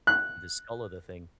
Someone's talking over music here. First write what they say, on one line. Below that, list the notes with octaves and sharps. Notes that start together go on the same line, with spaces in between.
in the skull of the thing.
F#6